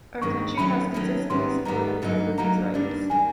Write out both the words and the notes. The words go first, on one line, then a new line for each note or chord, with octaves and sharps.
Our country has consistently supported both of these rights.
G2 D#3 G#3 C4 C#6
D#3 F#3 A3 C#4 B5
D#3 F#3 A3 C#4
G#2 D#3 G3 B3 C6
G#2 D#3 G3 B3 A#5
G2 D3 F#3 A#3 D#4
G2 D3 F#3 A#3 D#4 A#5
G2 D#3 G3 A#3 D4
D#3 G3 A#3 D4 G#5